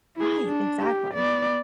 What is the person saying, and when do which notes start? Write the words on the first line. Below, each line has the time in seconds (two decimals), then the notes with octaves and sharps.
Right, exactly.
0.16 E4 G#4
0.45 D4
0.81 G4
1.14 B3 D5